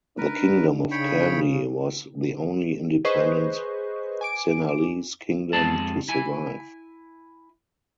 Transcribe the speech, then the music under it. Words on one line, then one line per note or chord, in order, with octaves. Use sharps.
The Kingdom of Kandy was the only independent Sinhalese kingdom to survive.
D4 D#4 A#4 B4
C#3 C#5 G5 B5
G#4 B4 C5 D#5 C#6
G#5 D6 D7
F2 G#3 C4 D5 A5
E4 G#5